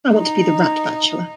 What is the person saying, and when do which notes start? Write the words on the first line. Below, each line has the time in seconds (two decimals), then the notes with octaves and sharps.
I want to be the rat bachelor.
0.15 D#4